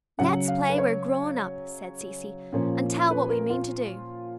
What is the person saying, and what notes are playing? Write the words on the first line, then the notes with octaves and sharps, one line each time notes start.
"Let's play we're grown up," said Cecy, "and tell what we mean to do."
C#3 F#3 C#4 F#5
F5
B4
C#5
A#2 F3 A#3 C#4
B4
A#4
F4